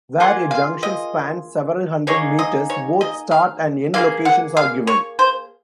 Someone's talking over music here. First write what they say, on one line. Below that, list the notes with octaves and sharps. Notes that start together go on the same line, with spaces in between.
Where a junction spans several hundred metres, both start and end locations are given.
A#3 F4 G#4 F#5
F5
D#5
A#3 D#4 G#4 C#5
D#5
C#5
D#5
F5
A#3 F4 G#4 F5
F#5
F5
C#5
C5